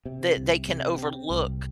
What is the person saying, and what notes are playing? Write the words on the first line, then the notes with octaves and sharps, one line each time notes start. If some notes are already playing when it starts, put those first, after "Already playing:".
that they can overlook,
C3
C2
C3
C4
C2